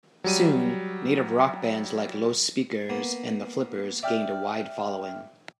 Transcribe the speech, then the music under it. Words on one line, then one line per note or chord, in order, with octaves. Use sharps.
Soon, native rock bands like Los Speakers and The Flippers gained a wide following.
F#3 G3 D#7
A#3 B3
D5 E5 G5 F6